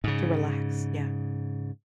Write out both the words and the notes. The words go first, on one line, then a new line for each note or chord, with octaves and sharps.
To relax, yeah.
G#2 C#3